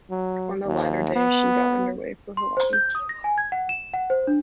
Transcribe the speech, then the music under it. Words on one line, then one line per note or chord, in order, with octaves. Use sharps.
On the latter day, she got underway for Hawaii.
F#3
D#2
B3
C6
C5
G6
D#6
A#6
G#5
G#6
F#5
E7
F#5
C5
D4